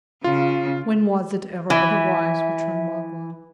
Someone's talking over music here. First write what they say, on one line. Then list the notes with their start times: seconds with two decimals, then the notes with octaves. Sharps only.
"When was it ever otherwise?" returned Magua.
0.24 C#3 F4
1.70 E3 E5